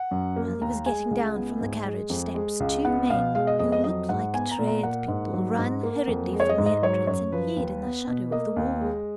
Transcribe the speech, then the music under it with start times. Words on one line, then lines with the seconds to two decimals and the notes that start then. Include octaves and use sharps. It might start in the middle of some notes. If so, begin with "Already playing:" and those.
While he was getting down from the carriage steps two men, who looked like tradespeople, ran hurriedly from the entrance and hid in the shadow of the wall.
Already playing: F#5
0.11 F#2
0.36 A#3
0.61 D#2 A#5
0.86 G#3 G#5
1.11 C#2
1.36 B3
1.61 G#2
1.85 G#3
2.10 F2
2.35 G#3
2.60 C#2
2.85 B3 F#5
3.10 B2 F5
3.35 G#3 F5
3.47 D#5
3.59 F2 D#5
3.72 D#5
3.84 F#3 D#5
4.09 G#2 F#5
4.33 B3 G#5
4.51 A#5
4.59 A#2
4.67 A#5
4.83 A#3 F#5
5.08 G#2
5.33 F#3
5.59 G#2
5.83 A#3
6.07 F2
6.33 G#3
6.40 C#5
6.49 D#5
6.58 G#2
6.66 D#5
6.82 F#3 C#5
7.07 F#2 C#5
7.32 F3 B4
7.57 D#2
7.83 B3
8.07 B2
8.31 A#3 D#5
8.56 D#2
8.81 G#3